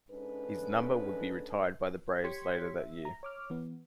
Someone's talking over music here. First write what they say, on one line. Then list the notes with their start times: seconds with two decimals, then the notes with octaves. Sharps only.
His number would be retired by the Braves later that year.
0.11 G#2 C#4 D4 A4 B4
2.24 G4 C#5 C6 G#6 B6 C#7
2.79 E5
3.05 A#5
3.23 C#5 D6 F6
3.50 E3 B3